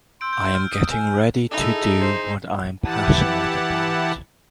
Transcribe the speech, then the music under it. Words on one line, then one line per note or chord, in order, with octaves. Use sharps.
I am getting ready to do what I am passionate about.
C6 E6 G6 D7
G6
F6
D#6
G#5
D#4 E4 G#4 A4
C5
E3 E4 G4 F#5 A5